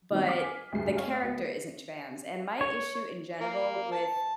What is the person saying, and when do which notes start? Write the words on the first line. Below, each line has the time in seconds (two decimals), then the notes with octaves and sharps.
but the character isn't trans, and my issue in general with,
0.11 D#3 F#3 G3 B3 C4 D#4
0.25 D6 F6 B6 C7
0.42 G#5
0.72 D2 G2 G#3 C7
0.96 C#5 F5 G#5
1.22 D2 B3
2.61 C#5
3.41 A#3
3.92 A5